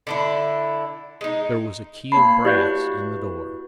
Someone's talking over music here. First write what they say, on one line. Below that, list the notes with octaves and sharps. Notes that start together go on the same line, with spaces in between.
There was a key of brass in the door.
D3 D4 E4
G#3 D#4
A#3 C#5 A5 B5 C7
E4 F#4 G4 B4 D5 G6